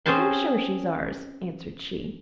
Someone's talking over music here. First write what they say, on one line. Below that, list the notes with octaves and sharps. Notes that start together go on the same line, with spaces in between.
"I am sure she is ours," answered she.
C4 C#4 G#4 C5 A5 C6